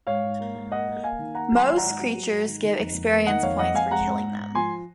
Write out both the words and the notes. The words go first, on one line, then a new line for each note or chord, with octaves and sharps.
Most creatures give experience points for killing them.
G#2 C#5 F5
G#2
A#3
G#2
A#3 D#5 F#5
A#3
A#3 F5 G#5
D#3
A#3 F#5 A#5
F#3 G#5 C6
D#3
F#5 A#5
G#2
F#3
F#3
G#2
D#3
D#3
F2
F2
A#3
D#3 D#5 F#5
F2 C#5 F5
F2 D#5 F#5
F2 F5 G#5
G#3 F#5 A#5
G#2
G#2
G#2
F3 G#5 C6